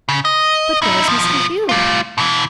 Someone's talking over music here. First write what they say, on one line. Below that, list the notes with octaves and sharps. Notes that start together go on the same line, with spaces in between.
"But where is Mr. Hugh?"
C#3
D#5
D#4 E4
B2 F3
G3 F4
B2 E3